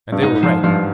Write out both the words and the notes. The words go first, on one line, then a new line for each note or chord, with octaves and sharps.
And they were right.
G2
G#2 D#4
G#2 F3
G2 F3